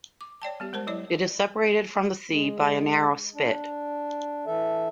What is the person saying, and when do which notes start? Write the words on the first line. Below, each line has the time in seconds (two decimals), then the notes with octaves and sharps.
It is separated from the sea by a narrow spit.
0.21 D6
0.42 C#5 D5 G5 A5
0.60 G3 B3 G4
0.73 G#3 A#4 C5 A5
0.87 F#3 E4 C#5 D5
2.31 G#3
3.34 D4
4.47 E3 A4 E5